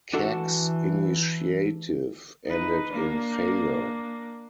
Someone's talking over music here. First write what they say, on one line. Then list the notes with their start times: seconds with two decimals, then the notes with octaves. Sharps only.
Kak's initiative ended in failure.
0.13 E3 D4 F#4 A4
2.46 D#4 B4
2.91 A#3 D4